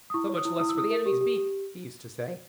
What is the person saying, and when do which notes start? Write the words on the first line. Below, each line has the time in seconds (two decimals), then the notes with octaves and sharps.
So much less for the enemy's beak, he used to say.
0.10 D#6
0.14 E4 C#6
0.29 C#5
0.37 D#6
0.45 E4
0.59 E4 D#6
0.69 E6
0.75 E4 D#6
0.90 A#4
1.06 G4
1.21 G4
1.36 G4